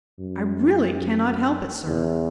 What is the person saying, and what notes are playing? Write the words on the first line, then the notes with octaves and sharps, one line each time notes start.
I really cannot help it, sir.
F#2
E2